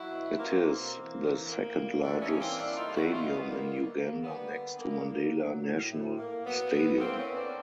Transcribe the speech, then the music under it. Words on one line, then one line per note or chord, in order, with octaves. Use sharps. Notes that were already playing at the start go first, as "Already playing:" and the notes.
It is the second largest stadium in Uganda next to Mandela National Stadium.
Already playing: F#3 E4 F#4
B2
B2 A#3 C4
A#3
E3
A#3
A2 A#3
G3
E3 D4 E4
C#4 D#4
A#3
C4 D4
A2 D4 E4
D#4 F4
G3
E4 F#4
G3 D#4 F4
B3
D3
A#3
D3
A#3
G3 B3
D3
D3 A#3
A#3
F#3
A2
A2
A#3
F#3 B3
A2
A2 A#3 C4
B3 C#4
A#3
C4 D4